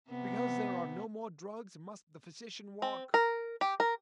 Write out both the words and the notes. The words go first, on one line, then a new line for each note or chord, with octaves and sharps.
"Because there are no more drugs must the physician walk?"
C3 B3
C4
A#4
G4
A#4